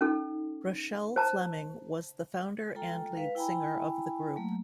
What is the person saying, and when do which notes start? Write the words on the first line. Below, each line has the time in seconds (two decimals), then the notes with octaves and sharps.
Rochelle Fleming was the founder and lead singer of the group.
0.01 C#4 D#4 A4
1.16 C5 A5 A#5
2.75 G#3 F4 A4 G5 A#5
3.16 B4 F5
3.35 E4 G5 G#5 A#5 B5
4.36 F#3 A3 A#3